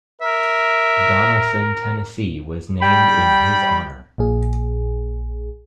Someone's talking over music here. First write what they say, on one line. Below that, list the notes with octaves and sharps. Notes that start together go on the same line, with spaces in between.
Donelson, Tennessee was named in his honor.
A#4 E5
G3 G5 B5
A#1 A#2 G#4